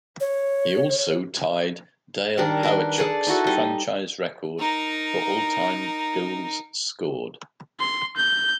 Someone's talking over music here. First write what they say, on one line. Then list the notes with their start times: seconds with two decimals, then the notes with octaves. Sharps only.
He also tied Dale Hawerchuk's franchise record for all-time goals scored.
0.20 C#5
2.38 D#3 G3 D4 A#4
2.63 A#4 B4 C6
2.98 G#4 A4 D5 A5
3.27 D#4 E4 F#4 A4
3.47 G3 D#4
4.59 D#4 A#4
7.79 C6
8.17 G6